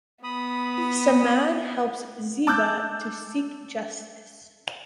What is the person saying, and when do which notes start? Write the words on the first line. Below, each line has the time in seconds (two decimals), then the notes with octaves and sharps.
Samad helps Zeba to seek justice.
0.24 B3 B5 D#6
2.47 A5 D6 E6 F#6 G6